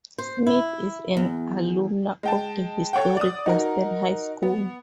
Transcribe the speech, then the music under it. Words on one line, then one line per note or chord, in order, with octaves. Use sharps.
Smith is an alumna of the historic Western High School.
C5
E4
E2
G#3 G5 A5
A4 C#5 F#5 G5
D5 D#6
D#4 F#4 A#4
B3